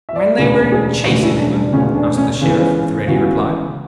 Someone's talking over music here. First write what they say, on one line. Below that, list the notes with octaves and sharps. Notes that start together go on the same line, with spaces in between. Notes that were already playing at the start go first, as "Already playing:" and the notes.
"When they were in chase of him?" asked the Sheriff, with ready reply.
E5
D5
E1 D2 C#3
G#4
E1 D2 C#3 F#4
E4
D4
D4
E1 D2 C#3 C#4
D4
C#4
C#2 C#3 E3 B3
C#2 C#3 E3 B3 F#4